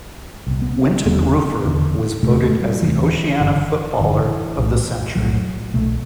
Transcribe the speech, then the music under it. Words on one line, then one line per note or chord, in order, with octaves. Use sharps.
Wynton Rufer was voted as the Oceania Footballer of the Century.
C2 B2
B3
C4
C4
E1 E2 D3 B3
E1 E2 D3
E1 D2 C3 A3
A3
G3
E1 D2 C3 E3
G1 F#2 D3
G1 F#2 D3 E3
B1 A2
B1 A2 F#3
B1 B2 A3